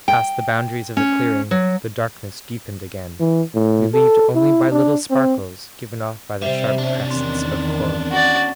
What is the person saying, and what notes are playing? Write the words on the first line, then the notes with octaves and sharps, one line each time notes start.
Past the boundaries of the clearing, the darkness deepened again, relieved only by little sparkles given off by the sharp crests of coral.
G5
C#4
F#3
E3
A2
A4
E4
D4
C4
C3 G3 C5 E5
C#4 D4
E2 D#3 C4
F#4 D5